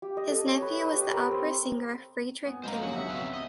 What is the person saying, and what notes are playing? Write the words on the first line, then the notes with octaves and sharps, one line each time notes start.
His nephew was the opera singer Friedrich Demmer.
G4
D#5
A4
C#5
B4
D#6
G4
A#4
C4
B3 G#5
F#2 G#3 C5 D#5 F5 A#5
F2 D3 F#3 F#4 G4 F#5
C#2 B3 E5
C#3 C4 F5
D#5